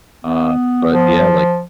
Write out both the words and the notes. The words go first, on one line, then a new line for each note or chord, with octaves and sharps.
Uh, but yeah, like
B3
F3